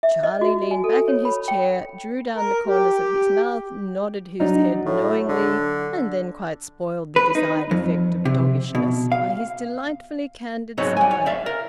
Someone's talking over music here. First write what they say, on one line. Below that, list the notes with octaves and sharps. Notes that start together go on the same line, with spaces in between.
Charlie leaned back in his chair, drew down the corners of his mouth, nodded his head knowingly, and then quite spoiled the desired effect of doggishness by his delightfully candid smile.
E5
D#5
F#4
G#5
A4
C#5
B5
G5
A#4
G4
F#3 D4 D#4
A2
D3
B4
D#4
F2
C3
B2
F5
G#2 F#3 B3 C4 D#4 C#5
F#5 G#5
C#5
D5 E5 F5
A#4